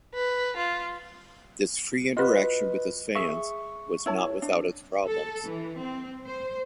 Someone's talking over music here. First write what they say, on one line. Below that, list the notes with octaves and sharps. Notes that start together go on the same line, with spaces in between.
This free interaction with his fans was not without its problems.
B4
F4
F4 F#4 B4 D#5
G#4 E5 C#6
E4 C#5 A5
D4
A4
E3
C4
C5